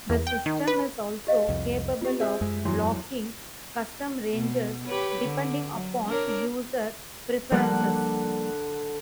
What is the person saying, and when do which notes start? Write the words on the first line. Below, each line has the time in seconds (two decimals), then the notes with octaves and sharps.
The system is also capable of blocking custom ranges, depending upon user preferences.
0.10 E2
0.27 G5
0.46 D#3
0.68 B4
1.27 G4 D#5 F5
1.49 C2 F2
2.01 C4 F4 G4
2.20 G#4 C5 E5
2.41 F#2 G#3
2.65 E2 F#3 C6
4.33 B2
4.86 G4 B4 C#5
5.22 D3
5.75 F#3
6.07 D4 A#4 C#5
7.52 D3 F3 G3 A#3 F#5